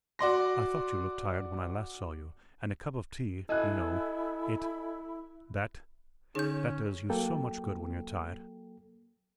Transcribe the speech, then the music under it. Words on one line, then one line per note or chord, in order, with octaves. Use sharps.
I thought you looked tired when I last saw you, and a cup of tea, you know, it--that--that does you so much good when you're tired.
F#4 D5 C6 A#6
E4 A4 D#5 G#5 F#6
D3 C#4 D#4 G#4 C#5 G6
F#3 A#3 A4 G5